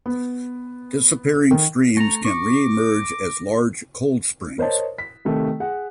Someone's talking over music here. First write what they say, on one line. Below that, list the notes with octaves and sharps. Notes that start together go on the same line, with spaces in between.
Disappearing streams can re-emerge as large cold springs.
B3
D#3
A3 A#5 A#6
C#6 D6
A#4 C5 C#5 D#5 A5
B6
C3 D#3 A3
G#4 F#5